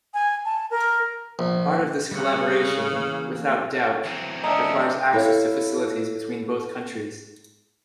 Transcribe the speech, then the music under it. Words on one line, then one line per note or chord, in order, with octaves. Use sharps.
Part of this collaboration, without doubt, requires access to facilities between both countries.
G#5
A5
A#4
A#1
C#3 G3 C#5 F#5
E3 A#3
E3 F#3 C4
F3 A3 C#4 D4 D#5 E5 G#5 A#5
E4 A4 A#4 C#5 F5